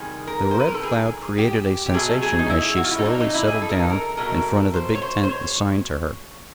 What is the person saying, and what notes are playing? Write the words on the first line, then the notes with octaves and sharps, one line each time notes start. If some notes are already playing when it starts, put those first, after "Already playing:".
The Red Cloud created a sensation as she slowly settled down in front of the big tent assigned to her.
Already playing: C3 D#3 G3 G#4
A#4
C5
B4
A#4
A4
G#4
G4
G4
B2 F#3 A3 G#4
G#4
D#4
E4
F#4
F4
E4
D#4
D4
D#4
E4
G#4
A4
A#4
A4
A#4
B2 F#3 A3 A#4
C5
C#5
C5
C5
C#5